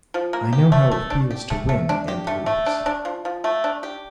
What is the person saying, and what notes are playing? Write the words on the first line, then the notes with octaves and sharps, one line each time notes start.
I know how it feels to win and lose.
F3
A#3
G4
A3
A3
D4
G4
A3
A3
D4
G4
A3
A3
D4
D4
F3
F3
A3
D4
G4